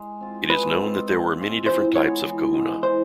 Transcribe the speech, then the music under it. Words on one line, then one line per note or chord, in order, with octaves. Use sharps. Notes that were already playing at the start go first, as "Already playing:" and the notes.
It is known that there were many different types of kahuna.
Already playing: G#3
C4 F4
G#3 B4
C4 F4
G#3
C4 F4
E3 C5
G#3 B3 C#5
E3
G#3 B3
E3 C5